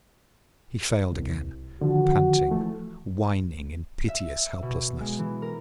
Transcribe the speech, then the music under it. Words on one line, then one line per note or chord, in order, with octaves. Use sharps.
He failed again, panting, whining in piteous helplessness.
C2
D3 D#3 F3 F#4
E3 F3 A3
E5
B2
G#3
E3
A#4